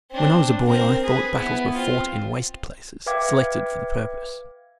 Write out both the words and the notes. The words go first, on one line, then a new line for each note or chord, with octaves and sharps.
When I was a boy I thought battles were fought in waste places selected for the purpose.
C4 D4
C4 A#4
G#4 B4
B3 E4
C4 F4
B4 E5 F5 G5 D6 G#6